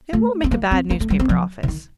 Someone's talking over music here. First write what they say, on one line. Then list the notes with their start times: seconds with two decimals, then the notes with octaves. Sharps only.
It won't make a bad newspaper office.
0.13 A3
0.44 C4
0.51 A#3
0.71 C4
0.90 A#3
1.00 A3
1.10 G3
1.19 C4
1.29 F3
1.63 D3
1.68 D#3